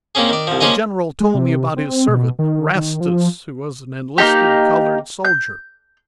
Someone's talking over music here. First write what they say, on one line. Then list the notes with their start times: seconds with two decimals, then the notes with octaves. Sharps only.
The general told me about his servant, "Rastus," who was an enlisted colored soldier.
0.15 A#3 C4 C#4 G#4
0.29 D#3 D5
0.47 C2 F3
0.61 F3 A#3 C#4 F4 G#4 D#5
1.20 G#3
1.35 C3
1.76 C4
2.08 B2
2.39 D#3
2.75 D#3
3.00 F3
4.18 A#3 C4 D#4 G4
5.25 G6